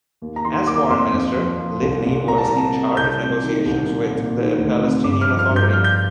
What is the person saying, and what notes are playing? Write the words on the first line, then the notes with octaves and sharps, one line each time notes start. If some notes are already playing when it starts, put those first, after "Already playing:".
As Foreign Minister, Livni was in charge of negotiations with the Palestinian Authority.
D#2
A#5
D#3 C6
D#2 D6
F2 C6
F2
F3
F3
C2
C2
C2 A#5
A5
C3 A#5
C3
C2 G6
C3
D#3
C2
A#2
A#2
D#3
D2
C3
G2 D6
F6
F3
F6
G2
G6
F3 F6
G6